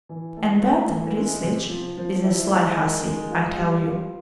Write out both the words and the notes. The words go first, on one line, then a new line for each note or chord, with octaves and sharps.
And that Resslich is a sly hussy, I tell you.
E3
A3
A3
E3
G#3
C3
F3
F3
E4
G#3
D#3
G#3
F4
G3
F4